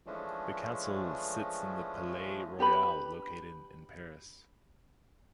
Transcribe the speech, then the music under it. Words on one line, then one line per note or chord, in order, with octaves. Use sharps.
The Council sits in the Palais Royal located in Paris.
E3 F3 G#3 A3 C#4 D4
D4 G4 B4 B5